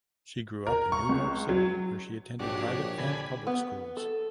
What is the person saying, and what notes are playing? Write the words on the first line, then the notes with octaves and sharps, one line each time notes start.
She grew up in New York City where she attended private and public schools.
A#4
C#6
C#2
F#3
A#1 G#2 D4 F#4 G4 C#5
D3 G#5 B5
B3
A4